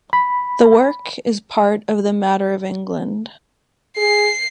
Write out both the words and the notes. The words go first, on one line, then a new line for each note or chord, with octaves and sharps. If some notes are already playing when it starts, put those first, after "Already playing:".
The work is part of the Matter of England.
B5
G#4 C7